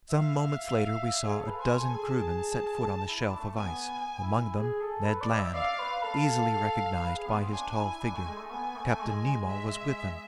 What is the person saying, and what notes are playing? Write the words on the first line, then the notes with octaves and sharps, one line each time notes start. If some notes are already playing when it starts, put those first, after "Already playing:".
Some moments later, we saw a dozen crewmen set foot on the shelf of ice, among them Ned Land, easily recognized by his tall figure. Captain Nemo was with them.
E5 F5
G#4
A4
B4
C5 G#5
A4
G#4
A5
E4
D4
A3
B3 G#5
E4
G#4
A4
B4
D5
E5
D5 F5
B4
A4 F5
B4
G#4
B3
C4
D4 G#5
E4
D4
A3
G#3
A3
B3 G#5
A3
G#3
E5